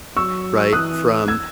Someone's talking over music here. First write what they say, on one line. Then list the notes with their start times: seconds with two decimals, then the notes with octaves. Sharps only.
right, from
0.17 F#3 C#6 E6
0.73 E3 D#6 F#6
1.28 E6 G#6